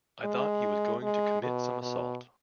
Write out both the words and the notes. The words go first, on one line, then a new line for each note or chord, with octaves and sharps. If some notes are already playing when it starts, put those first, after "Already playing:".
I thought he was going to commit some assault.
G#3
G#3
B2
B2